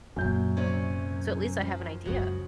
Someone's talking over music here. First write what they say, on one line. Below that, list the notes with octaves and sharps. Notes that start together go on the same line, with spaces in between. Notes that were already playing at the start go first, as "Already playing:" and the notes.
so at least I have an idea?
F#2 A#2 F#3 G6
C3 C#4 D5
F3
C#2 F#2 C#3 F3 F#4